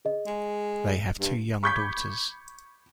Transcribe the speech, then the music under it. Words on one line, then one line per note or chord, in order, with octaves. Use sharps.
They have two young daughters.
G#4 D#5
G#3
G2
B5 C#6 D6 G6 G#6 B6